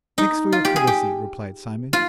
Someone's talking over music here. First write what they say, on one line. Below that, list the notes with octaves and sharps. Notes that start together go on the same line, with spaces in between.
'Thanks for your courtesy,' replied Simon.
D#4
F4
G4
G#4
G4
F4